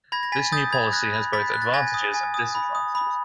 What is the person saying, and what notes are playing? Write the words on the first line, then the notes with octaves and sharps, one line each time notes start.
This new policy has both advantages and disadvantages.
B5 G#6 A#6
A#6
G#5 A6 B6
D#6 G6 A6
B5 G#6
F#6 G#6 A#6
B5
B5 A6 B6
F#6
A6
G#5 G#6 A#6
D#6
G#5
D#6
B5
D#6
B5